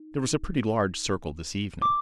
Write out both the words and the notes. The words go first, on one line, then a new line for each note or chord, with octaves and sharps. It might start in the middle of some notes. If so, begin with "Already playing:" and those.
There was a pretty large circle this evening.
Already playing: D#4
D6